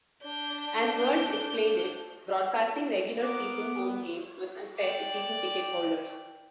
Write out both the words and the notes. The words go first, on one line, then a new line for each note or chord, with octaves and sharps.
As Wirtz explained it, broadcasting regular-season home games was unfair to season-ticket holders.
D4 G6
B3 A#4 D6
D5 G5